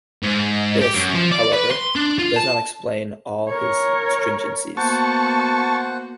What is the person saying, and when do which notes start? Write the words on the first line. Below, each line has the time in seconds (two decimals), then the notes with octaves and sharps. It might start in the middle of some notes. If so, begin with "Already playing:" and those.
This, however, does not explain all of his stringencies.
0.23 G#2
0.82 G4
0.95 F#2
1.14 F3
1.31 D5
1.53 B4
1.71 C6
1.96 D4
2.19 F4
2.36 A5
3.49 A#4 C#5
4.77 A#3 B3 F#4 C5 F#5 A5 C#6